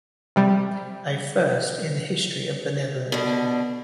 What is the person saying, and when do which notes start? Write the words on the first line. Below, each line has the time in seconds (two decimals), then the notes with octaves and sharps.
A first in the history of the Netherlands.
0.36 C3 G3
3.12 B2 D3